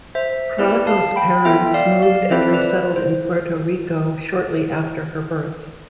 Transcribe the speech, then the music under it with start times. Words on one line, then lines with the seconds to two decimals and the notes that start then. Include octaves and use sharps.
Croatto's parents moved and resettled in Puerto Rico shortly after her birth.
0.15 C5 E5
0.58 B3 E4 G4 B4 D5
0.87 F5 A5
1.16 G5 B5
1.45 B3 F4 A4 E5 G5
1.74 D5 F5
2.02 D5 F5
2.31 C4 E4 A4 C5 E5
2.53 B4 D5
2.96 C5